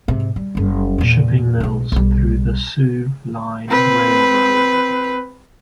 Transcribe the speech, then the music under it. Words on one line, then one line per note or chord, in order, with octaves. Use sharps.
Shipping Mills through the Soo Line Railroad.
G#2 C3
G3
F#1 G3
E2 A#2
B1 G#3
B1 G3
C4 B4